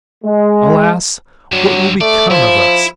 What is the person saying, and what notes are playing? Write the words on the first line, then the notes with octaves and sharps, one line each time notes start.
Alas, what will become of us?
G#3
G2 D3 F#3
A3 D5
F3 E4